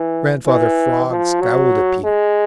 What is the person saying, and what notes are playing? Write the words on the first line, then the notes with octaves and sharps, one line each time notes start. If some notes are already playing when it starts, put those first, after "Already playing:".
Grandfather Frog scowled at Peter.
Already playing: E3
E3
F3
F#3
G#3